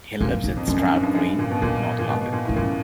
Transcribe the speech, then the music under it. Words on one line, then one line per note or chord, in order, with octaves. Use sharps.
He lives in Stroud Green, North London.
A#2 C#4
D4
D#4
F2
F#2 D4
F#2
G#2
G2
F#2
G2
A#2
B2
A#2 D4
A#2
B2
B2
A#2
A2
C4
A#2 C#4